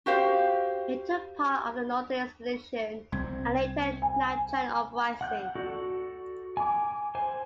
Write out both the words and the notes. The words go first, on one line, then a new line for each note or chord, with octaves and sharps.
He took part of the Northern Expedition and later the Nanchang Uprising.
F#4 G4 C5 F5
C2 C4 G#6
G#5
F#5 F#6 G6
F#4 A4 D5
G#5 D6
C5 G#5